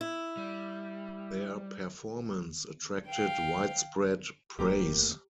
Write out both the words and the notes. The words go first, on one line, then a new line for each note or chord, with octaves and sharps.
Their performance attracted widespread praise.
E4
G3
F5 G5
D1 E2 A3 A#3 G4 A#4 A#5 D6